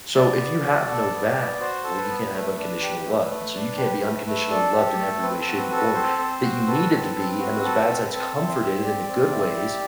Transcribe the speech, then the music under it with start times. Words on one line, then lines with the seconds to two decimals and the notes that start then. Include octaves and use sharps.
So, if you have no bad, well, you can't have unconditional love and so, you can't be unconditionally loved in every way, shape, and form that you needed to be, and those bad sides comforted in the good ways,
0.15 B3 D5
0.39 B3
0.64 F#4
0.88 A4
1.12 B3
1.36 B3
1.60 F#4 C5
1.84 A4
1.96 B4
2.08 B3
2.33 A3
2.57 D4
2.81 G4
3.05 A3
3.29 A3
3.54 D4
3.77 G4 B4
4.02 A3 B4
4.26 A3 B4
4.50 D4 A4
4.74 G4
4.98 A3
5.22 C4 B4
5.41 A4
5.47 F#4
5.58 B4
5.71 A4
5.76 B4
5.94 C4 C5
6.18 C4
6.43 F#4
6.67 A4 B4
6.91 C4
7.15 C4
7.39 F#4
7.63 A4
7.88 C4
8.11 C4 A4
8.36 E4
8.48 C5
8.59 G4
8.84 C4 D5
9.08 C4
9.32 E4
9.57 G4